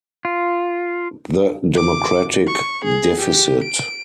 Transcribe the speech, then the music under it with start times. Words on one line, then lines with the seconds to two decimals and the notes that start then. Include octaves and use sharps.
The democratic deficit.
0.25 F4
1.76 D6
2.48 C#6
2.85 G#4
3.19 G4
3.64 D7